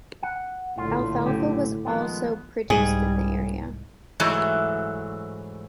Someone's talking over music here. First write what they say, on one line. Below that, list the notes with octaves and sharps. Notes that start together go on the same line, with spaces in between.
Alfalfa was also produced in the area.
F#5
A#1 A2 D3 A3 F4
C#3 F#3 G4
D#3 F3 G#3 A3 B3
C2 G#2 G3 G#4
G#2 E3 F#3 A3